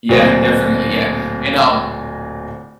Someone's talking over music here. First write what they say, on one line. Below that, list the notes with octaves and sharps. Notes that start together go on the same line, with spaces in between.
Yeah, definitely, yeah, and, um
D1 A#2 F#3 C4 C5 D#5